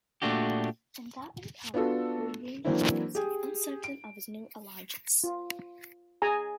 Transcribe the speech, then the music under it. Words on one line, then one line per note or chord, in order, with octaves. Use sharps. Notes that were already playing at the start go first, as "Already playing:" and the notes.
In that encounter, Holborne showed himself uncertain of his new allegiance.
A#2 A3 D4 F#4 G4
B3 D4 F4 F#4 A4
E3 F#3 A#3 C4 D4 E4
G4 G#4
D7
F4
G#4 G#5 A#5